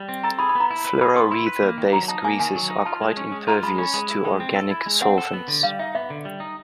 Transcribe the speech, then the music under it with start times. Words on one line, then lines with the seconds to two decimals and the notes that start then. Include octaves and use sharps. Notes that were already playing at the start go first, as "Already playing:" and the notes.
Fluoroether-based greases are quite impervious to organic solvents.
Already playing: G3
0.09 C4
0.23 A4 A#5
0.39 G#4 B5
0.49 B5
0.55 B3
0.60 A#5
0.71 E4
0.85 B4
1.01 G#4 B5
1.16 B3 C6
1.31 E4 B5
1.47 B4
1.63 A#3
1.78 D#3
1.93 F#3 A#5
2.08 D#4 A5
2.24 A#3 G#5
2.39 D#3 G#5
2.55 F#3
2.70 D#4
2.85 F4 A5
3.02 G#3
3.17 C#4
3.32 G#3
3.47 F4 A#5
3.63 G#3 B5
3.78 C#4 B5
3.94 G#3 B5
4.10 E4
4.24 G#3 G5
4.40 C4
4.56 A4
4.71 E4
4.86 G#3
5.01 C4 F#5
5.18 A4
5.33 B3
5.48 D3
5.63 G3 F5
5.79 D#4 E5
5.95 B3 E5
6.10 D3
6.25 G3
6.40 D#4